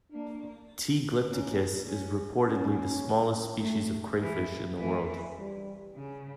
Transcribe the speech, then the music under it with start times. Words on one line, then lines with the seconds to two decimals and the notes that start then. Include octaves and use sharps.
"T. glypticus" is reportedly the smallest species of crayfish in the world.
0.12 A#3 D4
1.29 A#3 C#4
1.87 C#4
2.46 A#3 C#4
3.62 A3
4.21 E3
4.79 E3 A3
5.38 G3
5.95 C#3